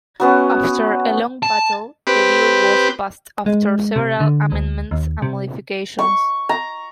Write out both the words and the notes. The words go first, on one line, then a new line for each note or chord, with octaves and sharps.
After a long battle, the bill was passed after several amendments and modifications.
F#3 B3 C#4
A5
C4 G4 B4
G#3
C3
D3
D2
D#2
C3
C#6
A#5